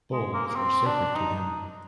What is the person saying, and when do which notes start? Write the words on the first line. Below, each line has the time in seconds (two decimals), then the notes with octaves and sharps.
Bulls were sacred to him.
0.12 G#3
0.34 A#3
0.48 A#3
0.56 C4
0.86 D4
1.15 D#4